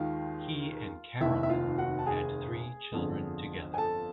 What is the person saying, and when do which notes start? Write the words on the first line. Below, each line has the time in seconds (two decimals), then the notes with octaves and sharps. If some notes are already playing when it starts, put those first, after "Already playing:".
He and Carolyn had three children together.
Already playing: D#2 D#3 G#3 F4 F5
1.21 F1 D#2 D#3 E4 E5
1.43 E5
1.49 F4 F5
1.78 F#4 F#5
1.99 A5
2.07 G#4 G#5
2.92 G1 F2 D3
3.74 G#5
3.78 A4 A5